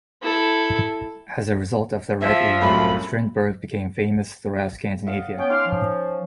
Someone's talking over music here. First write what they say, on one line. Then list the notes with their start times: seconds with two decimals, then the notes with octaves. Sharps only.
As a result of "The Red Room", Strindberg became famous throughout Scandinavia.
0.22 E4 A4
2.21 F3 E5
2.62 C2 F#2 A2 B5
5.07 D#5 F5 F#5
5.38 B3 C#4 G5
5.50 D#4 F5 C6 D6 F6
5.67 F3